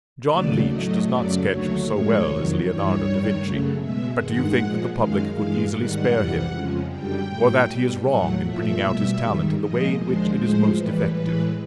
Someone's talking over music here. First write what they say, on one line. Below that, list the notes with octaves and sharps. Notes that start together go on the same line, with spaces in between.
John Leech does not sketch so well as Leonardo da Vinci; but do you think that the public could easily spare him; or that he is wrong in bringing out his talent in the way in which it is most effective?
D#2 C#3 F#3 A3 D5
A2 F#3 A3 D#5
F#2 C#3 F#3 A3 D5
D#2 D3 F#3 A3 C#5
A2 F3 G#3 C#5
F2 C3 D#3 F#3
G2 E3 G3 C#5
G2 D#3 G3
F#2 C#3 F#3 A3
B2 G#3 E5
G2 D#3 G#3 F#5
A#2 F3 G#3
F#2 D#3 G#3 F5
G2 E3 G#3 F5
G#2 D#3 G3 F#5
F2 C3 E3 G3
F2 C#3 F3 G#3
F#2 D3 G3 G5
A2 F#3 A3
B2 G3
A2 F#3 A3 F#5
A#2 F3 A3 E5
B2 G3
G#2 D#3 G3
A#2 F3 G#3 D#5
D#2 D3 F3 G#3 C5
A2 F3 G#3 C5
A2 E3 G3 B4
A2 E3 G#3 B4